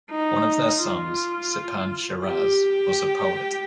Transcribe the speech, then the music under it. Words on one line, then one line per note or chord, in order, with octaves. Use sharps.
One of their sons, Sipan Shiraz, was a poet.
D#4
F4
G4